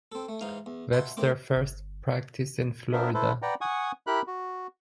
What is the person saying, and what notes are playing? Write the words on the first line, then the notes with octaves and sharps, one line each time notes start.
Webster first practised in Florida.
C4 A4
A3
G#2 E3 D#4 F5
E2
D#5 E5 F#5 A5 B5 C6
A2 D#3 C4 D6
G1
B3 D4 F4 A#4 C5 E5
E4 A4 B4 C5
B4 D5 F#5 G5 A#5
F#5 G#5 C#6 D#6
E4 G4 A#4 B5 F#6
F#4